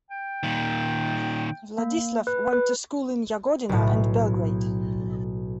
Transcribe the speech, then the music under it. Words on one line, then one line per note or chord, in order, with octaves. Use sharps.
Vladislav went to school in Jagodina and Belgrade.
G5
A#2 D#3
A#3
B4
B4
B1 A2